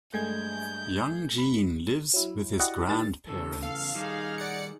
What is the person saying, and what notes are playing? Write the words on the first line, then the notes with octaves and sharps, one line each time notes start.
Young Jean lives with his grandparents.
G2 G#3 A3 G#5 G6 G#6
B5
F#3 E4
E4 F#4 G4 D5 D#5 F#5
D#3 G3 A6
E2 C#3 A4
A4 F5
D#3 G3 D#4 G#4
D5 F#5 C#7